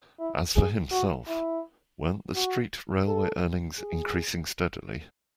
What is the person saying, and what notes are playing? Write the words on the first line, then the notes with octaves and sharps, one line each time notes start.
As for himself, weren't the street railway earnings increasing steadily.
E4
G#4
F#4
E4
F#4
A4
G#4